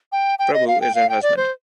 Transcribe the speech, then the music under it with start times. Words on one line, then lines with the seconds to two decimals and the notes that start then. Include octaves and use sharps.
Prabhu is her husband.
0.12 G5
0.39 G5
0.54 D#5
0.67 F5
0.81 G5
0.95 F5
1.09 G5
1.22 D5
1.37 C5